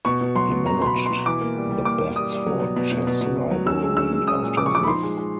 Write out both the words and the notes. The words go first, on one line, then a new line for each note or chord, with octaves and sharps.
He managed the Batsford Chess Library after this.
B2 C#6
B2
F#3 C6
B2
B2 A#5
B2 B5 C6
B2
B2 C6
E3 D6
A#3
G3
G3
A#3 D6
A#3
G3 D#6
G3
F#3
B2
B2
B2
B2
B2
B2
F#3
C#4 E6
G#3
C#4 E6
G#3
C#4 D#6
A#2
F3 D6
C#6
F3 D6
B5
D#4 C6
G#3
G#3